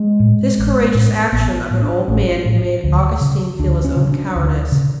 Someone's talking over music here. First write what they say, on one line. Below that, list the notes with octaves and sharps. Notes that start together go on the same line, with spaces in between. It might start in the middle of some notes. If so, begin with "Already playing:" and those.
This courageous action of an old man made Augustine feel his own cowardice.
Already playing: G#3
A2
A1
A2
A1 B3
A2
D4
A1 C#4
A2
D2
C#3
D2 D4
C#4
C#3
D4
D2
C#3